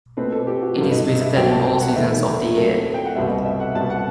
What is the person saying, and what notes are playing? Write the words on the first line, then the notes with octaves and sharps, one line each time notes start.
It is visited in all seasons of the year.
B2 A3 C4 B4
A4
G4
F#4
G2 D#3 F#3 A4
D#5
E5
C2 B2 F#3 C4 G5
A5
G5
F#5
E2 D#3 A3 E5
A2 F#3 A3 C4
G5
F#5
C2 B2 G3 B3 E5
D#5
E5
F#5
C2 B2 G3 B3 A5
F#5